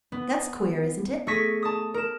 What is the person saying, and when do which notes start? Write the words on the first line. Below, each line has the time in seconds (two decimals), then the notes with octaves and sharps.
That's queer, isn't it?
0.12 B3
1.27 A3 G#4 C#6 A#6 B6 D#7
1.62 A5 D#6
1.94 A#4 E7